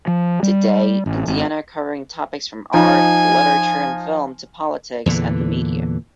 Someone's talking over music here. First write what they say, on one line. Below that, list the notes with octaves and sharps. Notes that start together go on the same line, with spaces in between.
Today, Indiana covering topics from art, literature and film to politics and the media.
F3
G3
A1
G#1
F3 D#4 G#5
E2 A#2 D3 E3